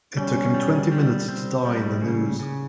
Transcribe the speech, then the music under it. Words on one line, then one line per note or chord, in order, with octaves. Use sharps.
It took him twenty minutes to die in the noose.
G3 C#4
G3
G3
C4
G3
C#3
C#3